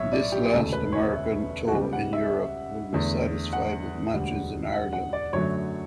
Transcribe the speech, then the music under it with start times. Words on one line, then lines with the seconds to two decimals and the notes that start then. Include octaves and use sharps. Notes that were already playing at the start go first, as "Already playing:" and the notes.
This last American tour in Europe will be satisfied with matches in Ireland.
Already playing: B1 A2 C#5 E5
0.13 D5
0.32 G4
0.52 E1 D2 C#3 A4
0.73 B4
0.92 C#5
1.13 E5
1.68 F#4
1.73 C#2 C#3 G3 B3 G4
1.93 F#5
2.13 E5
2.93 E2 D3 A3
3.53 F#5
4.13 E1 D2 D3 G3
4.73 F#5
4.93 F#5
5.13 D5
5.33 F#2 D3 F#3 A3 C#5